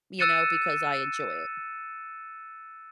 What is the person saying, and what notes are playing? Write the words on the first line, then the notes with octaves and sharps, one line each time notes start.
you know, because I enjoy it.
E6 F#6 A6 C#7 D#7 E7